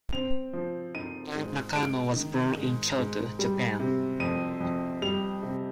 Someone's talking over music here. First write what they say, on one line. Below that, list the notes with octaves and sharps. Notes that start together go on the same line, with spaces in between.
Junya Nakano was born in Kyoto, Japan.
C4 F7
F3
D#4 D#7
G#2
G#3 D7
D#3
G#2
G#2
G3
C3
F2 D#7
F2
G3 F7
C3